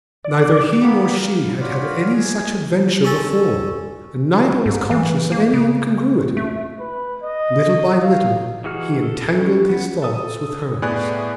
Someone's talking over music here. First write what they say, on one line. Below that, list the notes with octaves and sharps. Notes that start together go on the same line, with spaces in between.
Neither he nor she had had any such adventure before and neither was conscious of any incongruity. Little by little he entangled his thoughts with hers.
D5
A#3 B3 G4 B5
F5
F4 F#4 C#5 D5 B5 F6
G#4 G#5
C#4 A4
G#2
E3
A#3
C#3
A3
B4
D#5
F5
E3 D#4 F#4 G#4 F6
A4
C#4
B3
A4 D#6
A2 B3 G#4 D5 G#5 F#6